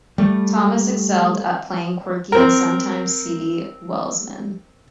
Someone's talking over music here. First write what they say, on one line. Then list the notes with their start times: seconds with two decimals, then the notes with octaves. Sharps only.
Thomas excelled at playing quirky and sometimes seedy Welshmen.
0.18 G3 A3
2.32 C4 A#4